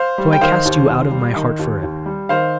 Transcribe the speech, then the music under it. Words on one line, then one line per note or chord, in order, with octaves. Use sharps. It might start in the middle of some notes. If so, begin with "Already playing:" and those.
So I cast you out of my heart for ever.
Already playing: C5 F5
G3
G5
D#3 C5 F5
D#2
D#2
G3
D#3
D#2
D#2
G3
D#3 C5 F5